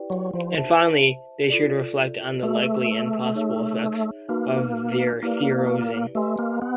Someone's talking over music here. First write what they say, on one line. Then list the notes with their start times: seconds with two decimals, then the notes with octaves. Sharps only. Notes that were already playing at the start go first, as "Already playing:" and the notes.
And finally, they should reflect on the likely and possible effects of their theorising.
Already playing: E4 G4 B4 D5 G5
0.10 F#3
0.34 F3
0.56 C5 E5 A5
1.50 F4 A4 D5
2.43 A3 G#4 B4 E5
3.35 D#4 G#4 C#5 E5
4.29 A#3 D#4 F#4 B4
5.22 A#3 E4 G4 B4 D5
6.15 A3 G4 B4 D#5 G#5 C6
6.39 A#3
6.62 B3